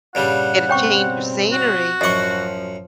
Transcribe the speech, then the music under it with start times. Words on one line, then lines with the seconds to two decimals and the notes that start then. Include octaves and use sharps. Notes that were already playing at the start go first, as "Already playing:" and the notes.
get a change of scenery,
0.15 G2 A#2 C#3 G3 F#5
0.69 B2 C4 C#5 G5 C#6
1.52 F#4
2.01 A1 F#2 F3 D#5 F#5 C#6